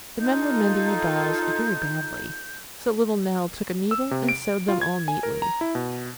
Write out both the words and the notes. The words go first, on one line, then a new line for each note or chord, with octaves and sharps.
The men were mending the dolls very badly, so little Nell took a needle and sewed them all neatly.
D#4 F4 A4 G6
E6
C3
D7
F4
G#6
G#5
A#4
A#5
E4
B2